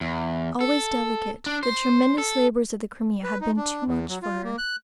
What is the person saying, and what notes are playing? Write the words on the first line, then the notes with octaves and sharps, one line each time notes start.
Always delicate, the tremendous labors of the Crimea had been too much for her.
E2
A4
D4
C5
A4
B4
D#4
D4
E2
F#3
F4
A#3
F#6